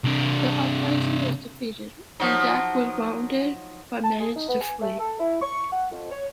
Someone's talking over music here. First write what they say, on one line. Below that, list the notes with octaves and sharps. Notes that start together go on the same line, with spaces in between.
The uprising was defeated, and Dacke was wounded but managed to flee.
C3 D4
F3 F#3 D#4
A5
G#4
D#4
B3
G#5
A3
A4
E4
C#6
F#5
F2
C#5